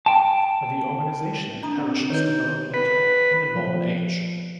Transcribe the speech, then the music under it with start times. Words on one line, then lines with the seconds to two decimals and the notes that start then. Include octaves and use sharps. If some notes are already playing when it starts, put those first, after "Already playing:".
The organization in parishes developed later, in the Norman age.
0.06 G5 A5
1.62 D4 A#5 D#6
1.76 C4
2.10 D#3 D#4 B4 C#5 G6
2.74 B4
3.56 F3